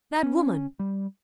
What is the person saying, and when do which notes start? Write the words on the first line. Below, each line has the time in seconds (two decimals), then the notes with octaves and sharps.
That woman!
0.23 C#4
0.79 G3